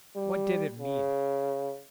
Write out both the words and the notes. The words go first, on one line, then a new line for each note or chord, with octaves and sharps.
What did it mean?
G3
C#3